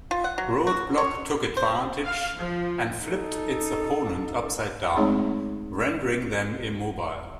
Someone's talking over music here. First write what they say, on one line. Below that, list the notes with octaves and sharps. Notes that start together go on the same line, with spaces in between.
Roadblock took advantage and flipped its opponent upside-down, rendering them immobile.
F4
F#5
F#3
F#4
C#5
C5
F5
F3
D#4 A4
G#3 A3 C4 D#4 G#4 C#5